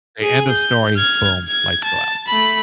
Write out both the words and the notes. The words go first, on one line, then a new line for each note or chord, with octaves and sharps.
Say, end of story, boom, lights go out.
G#4 G#5
G6
F6 G#6
G#6
A5
A3 B5